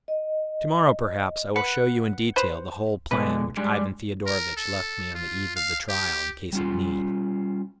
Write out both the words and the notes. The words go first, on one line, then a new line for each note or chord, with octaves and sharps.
To-morrow perhaps I will show you in detail the whole plan which Ivan Fyodorovitch left me on the eve of the trial in case of need....
D#5
B4 F#5
B4 C5
B2 D3 G#3 B4
G3 G#3 D4
A#4
A4
F4
F5
G4
G3 C#4 F4